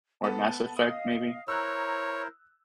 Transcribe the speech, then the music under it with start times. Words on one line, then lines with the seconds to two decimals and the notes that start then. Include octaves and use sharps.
Or Mass Effect, maybe.
0.24 B3 A4 A5
0.77 D#5 F5 D#6
1.48 E4 A#4 C5 C#5 A#5 E6 F#6